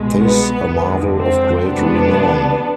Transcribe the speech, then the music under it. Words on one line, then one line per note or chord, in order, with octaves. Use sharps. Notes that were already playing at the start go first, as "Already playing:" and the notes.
'Tis a marvel of great renown!
Already playing: C2 B2 G#3
B3
F2 D3 G#3
C4
D2 C3 E3 G#3 B3 D4